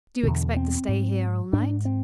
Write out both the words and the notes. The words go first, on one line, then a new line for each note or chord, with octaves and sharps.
"Do you expect to stay here all night?"
E2 B2 D3
C4
G#2
G#2 D4
C4